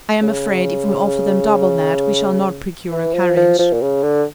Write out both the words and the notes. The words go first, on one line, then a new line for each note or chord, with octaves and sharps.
"I am afraid if we offer them double that we shall not procure a carriage."
C#3
E3
F3
F3
F3
A#2
C#3
D3